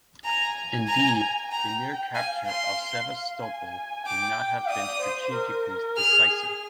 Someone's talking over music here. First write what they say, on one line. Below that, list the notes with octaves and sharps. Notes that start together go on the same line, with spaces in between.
Indeed, the mere capture of Sevastopol would not have been strategically decisive.
G#5 A#5
A#5
G5 A#5
F5 G#5
C6
F5
G#5
G5 D6
D5 D#6
C5
A#4
G#4 F6